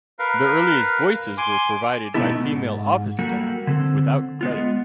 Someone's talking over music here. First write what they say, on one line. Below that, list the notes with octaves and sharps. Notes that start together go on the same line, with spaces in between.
The earliest voices were provided by female office staff, without credit.
A#4 B4 F5
G#5 C6 D6
B2 A3 B3 D#4 E4 A4
G#2
G3 A#3 F#4 A4
D3 C4 A4
G#3 B3 F4